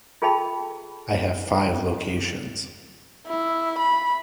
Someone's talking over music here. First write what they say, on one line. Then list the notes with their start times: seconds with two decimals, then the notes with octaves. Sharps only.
I have five locations.
0.22 F4 G#4 A4 G5 A5 B5
3.27 E4
3.78 B5